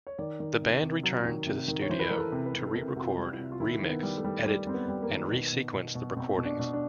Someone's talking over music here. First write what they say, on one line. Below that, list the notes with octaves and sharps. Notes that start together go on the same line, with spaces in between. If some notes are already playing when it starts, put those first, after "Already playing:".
The band returned to the studio to re-record, remix, edit, and re-sequence the recordings.
C#5
D#3 D5
D#3
C3
C3
F#3
D#3
C3
D#3
C#5
E3 C5
B4
E3 A#4
A4
C3
B4
C3
A4
C3 A#4
C3 F#4
F4
G3
E4
C3
F4
D#3 E4
D#3
B3
G3
A3
G3
G3
G3 C4
B3
G3
A#3
D#3
B2 B3
B2
B2
B2
B2 C4
B2
D4
B2
D4